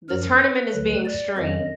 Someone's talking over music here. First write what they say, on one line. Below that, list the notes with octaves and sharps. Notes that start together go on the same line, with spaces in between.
the tournament is being streamed
F#2 F3 A#4
B4
D2 D3 F#3
D5
F2 D#3 F#3 D#5